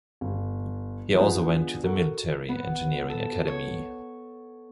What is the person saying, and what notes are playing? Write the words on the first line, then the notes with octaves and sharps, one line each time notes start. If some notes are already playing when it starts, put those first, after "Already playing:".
He also went to the military Engineering Academy.
G1
F3 G#3 B3 D4
F#4 A4 A#4
B3
A4
C#5